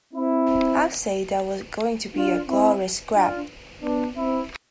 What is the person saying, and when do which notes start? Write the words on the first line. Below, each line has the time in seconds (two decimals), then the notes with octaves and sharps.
I'd say there was going to be a glorious scrap.
0.14 C4 E4
2.15 D4 F4
2.48 C4 E4
3.16 D4 F4
3.83 B3 D4
4.16 C4 E4